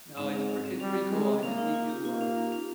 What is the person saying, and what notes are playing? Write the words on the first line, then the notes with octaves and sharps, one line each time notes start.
No, it's p it's pretty cool, I just need to, uh,
G#2 C4
C#4
C4
C#4
C4
G3 C#4
G#3
A#3 C#4
D#4
F4
G4
A#3 F4
C#4
C#4
C#4